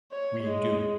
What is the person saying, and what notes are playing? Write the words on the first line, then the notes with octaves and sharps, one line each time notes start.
We do.
C#5
G#3